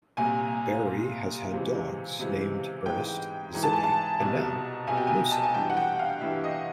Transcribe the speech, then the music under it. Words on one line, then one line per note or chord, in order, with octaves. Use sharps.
Barry has had dogs named Earnest, Zippy, and now Lucy.
C2 A#2 G3 A#3 G#5
C2 A#2 G3 A#3
C#2 C3 E3 G#3
C#2 C3 E3 G#3
G#2 E3 G#3 G5
G#2 E3 G#3
A5
G#5
A5
C2 B2 G3
C2 B2 G3 G#5
G5
G#5
A5
G#5
G2 E3 G3 G5
F#5
G5
F5
G2 E3 G3 E5
D#5